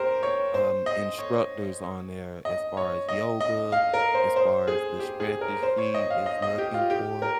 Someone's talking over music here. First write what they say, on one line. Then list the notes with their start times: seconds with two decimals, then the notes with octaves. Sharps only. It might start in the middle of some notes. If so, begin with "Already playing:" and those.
um, instructors on there as far as yoga, as far as the stretches she is looking for,
Already playing: G4 A#4 C5
0.23 C#5
0.54 C5
0.86 D#5
1.19 C#5
2.45 D#5
2.77 C#5
3.09 D#5
3.41 D#5
3.72 F5
3.93 A#4
4.14 C5
4.36 C5
4.68 G#4
4.99 G4
5.20 G#4
5.41 A#4
5.63 C5
5.78 C#5
5.94 D#5
6.10 F5
6.26 D#5
6.42 D#5
6.58 G4
6.74 F4
6.90 G4
7.22 A#4